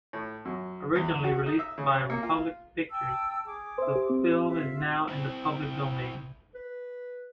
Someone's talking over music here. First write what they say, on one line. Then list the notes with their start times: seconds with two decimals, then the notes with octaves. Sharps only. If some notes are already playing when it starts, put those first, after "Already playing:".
Originally released by Republic Pictures, the film is now in the public domain.
0.13 A2
0.45 F#2
0.96 E2
1.24 F#4
1.46 D#4
1.59 E5
1.78 C#3
2.10 A#3
2.23 F4
2.90 G5 A5 E6
3.45 G#4 D6
4.47 F4 E5
5.09 C4 E4
6.55 B4